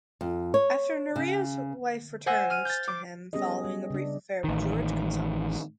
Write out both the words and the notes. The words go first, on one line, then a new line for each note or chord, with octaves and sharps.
After Narea's wife returned to him following a brief affair with Jorge Gonzalez.
F2
C#5
C#3
C5 F#5 G#5 E6 A#6
F6 D#7
G6 A6
D6
G3 B3 C#4 G4 G#4 D#5
G3
C#3 D4
A1 D#3